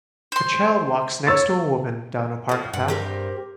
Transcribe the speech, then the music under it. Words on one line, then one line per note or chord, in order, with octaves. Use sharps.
A child walks next to a woman down a park path.
C5 C6
C#5 E6 A6
A2 F3
G2 F#5
C4 G4 A#4